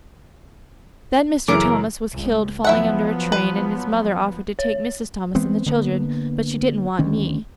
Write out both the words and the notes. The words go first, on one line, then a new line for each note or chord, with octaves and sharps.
Then Mr. Thomas was killed falling under a train and his mother offered to take Mrs. Thomas and the children, but she didn't want me.
F#2 C#3 E3 A#4 D6
C#2
F3 F#3 B3 E4 E5 F#5
B4
C#5
E3 G#3 B3 C4
D3 A#3 B3
D2 D#3 C#4